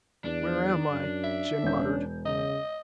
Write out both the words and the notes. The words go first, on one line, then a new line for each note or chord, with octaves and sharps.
"Where am I?" Jim muttered.
E2 D4
F#2
E5
E1 C#4 G6
C#3 D#5